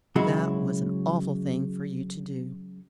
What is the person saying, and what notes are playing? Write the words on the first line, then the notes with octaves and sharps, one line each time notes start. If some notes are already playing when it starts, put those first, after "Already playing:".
That was an awful thing for you to do.
C#3 F#3 G#3 E4 F#4